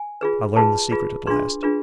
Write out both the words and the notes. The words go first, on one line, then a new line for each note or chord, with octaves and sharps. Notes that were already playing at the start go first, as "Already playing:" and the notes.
I learn the secret at last.
Already playing: G#5
F4 G#4 B4
F4 G#4 B4 A5
F4 G#4 B4
D4 F4 G#4 B4 C6
D4 F4 G#4 B4